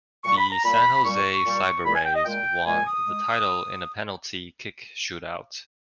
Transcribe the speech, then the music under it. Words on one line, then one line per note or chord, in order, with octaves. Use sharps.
The San Jose CyberRays won the title in a penalty kick shootout.
A#2 G3 C#6
B5
A#5
A#2 G3 B5
A#2 G3 C#6
A#2 G3
A#2 G#3 B5
G#5
G5
D#5
A#2 G#3 G5
A#2 G#3 G#5
D#6
G#3